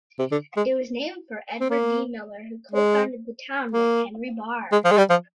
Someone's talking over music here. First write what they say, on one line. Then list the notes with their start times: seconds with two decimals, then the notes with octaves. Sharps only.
It was named for Edward D. Miller, who co-founded the town with Henry Barr.
0.19 C3
0.32 D3
0.57 G#3
1.60 C4
1.70 A#3
2.71 G#3
3.72 A#3
4.72 G#3
4.85 F3
4.92 G#3
4.98 G3
5.10 F3